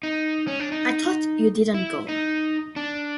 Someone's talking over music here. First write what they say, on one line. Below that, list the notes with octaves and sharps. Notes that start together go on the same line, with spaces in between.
I thought you didn't go.
D#4
C#4
D4
D#4
E4
D#4
D4